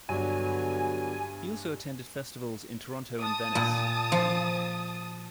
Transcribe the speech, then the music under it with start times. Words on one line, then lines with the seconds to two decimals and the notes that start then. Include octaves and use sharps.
He also attended festivals in Toronto and Venice.
0.09 G2 D3 F#3 B3 D4 D5 G#5
3.20 A5 D#6
3.55 A#2
4.12 F3